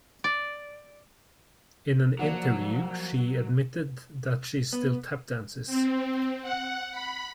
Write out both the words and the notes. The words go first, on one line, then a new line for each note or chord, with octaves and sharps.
In an interview, she admitted that she still tap dances.
D5
F3 F#3 A#3 D5 F#5
B3
C4
F#5
B5